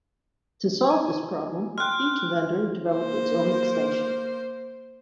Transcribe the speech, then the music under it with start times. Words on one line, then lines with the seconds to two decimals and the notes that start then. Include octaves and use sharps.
To solve this problem, each vendor developed its own extension.
0.90 G#5
1.78 G5 C6 F6 F#6
2.90 A#3 C5